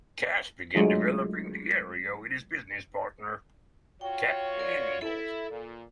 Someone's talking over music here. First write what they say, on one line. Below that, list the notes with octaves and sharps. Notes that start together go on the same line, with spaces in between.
Cass began developing the area with his business partner, Captain Ingals.
F#3 G#3 A3 D4 F4 G#4
F4 F#4 C#5 G5
A#4 D5
E4 A4
A#2